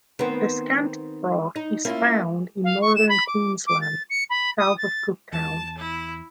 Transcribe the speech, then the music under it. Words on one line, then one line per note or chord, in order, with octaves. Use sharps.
The Scanty Frog is found in northern Queensland, south of Cooktown.
D#3 B3 C4
D#4
A#3 C#4 E4 F4
F5
C#6
E7
B5
D6
D6
A6
C#7
B5
D#6
A6
E2 A5
E4